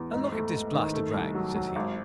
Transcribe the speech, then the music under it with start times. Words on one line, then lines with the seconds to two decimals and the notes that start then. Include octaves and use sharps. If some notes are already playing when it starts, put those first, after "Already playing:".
And look at this blasted rag, says he.
Already playing: E2
0.13 G#2
0.32 A3
0.53 A3
0.73 D#3
0.94 A3
1.14 C2
1.35 F#3
1.55 F#3
1.76 G#1